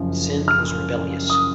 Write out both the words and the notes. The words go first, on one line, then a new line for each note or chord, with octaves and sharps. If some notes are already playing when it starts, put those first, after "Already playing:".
Sindh was rebellious.
Already playing: F#1 F#2 F3
F6
D#6